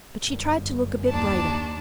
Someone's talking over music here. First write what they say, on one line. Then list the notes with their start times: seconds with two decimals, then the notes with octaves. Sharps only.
But she tried to look a bit brighter.
0.24 G1 F#2
1.09 D#2 D4 A5